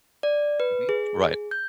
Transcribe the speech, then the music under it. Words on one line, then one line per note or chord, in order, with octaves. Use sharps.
Mhm. Right.
D5
B4
G#4
G6